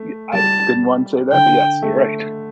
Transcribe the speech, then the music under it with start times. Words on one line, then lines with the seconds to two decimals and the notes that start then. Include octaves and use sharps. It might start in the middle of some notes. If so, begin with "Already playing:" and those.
y I didn't want to say that, but yes, you're right.
Already playing: A3
0.33 G3 A5
1.33 D3 G5
1.83 A3